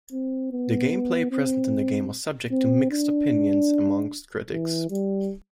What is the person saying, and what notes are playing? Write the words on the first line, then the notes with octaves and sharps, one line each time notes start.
The gameplay present in the game was subject to mixed opinions amongst critics.
C4
B3
C4
C4
D4
E3
G3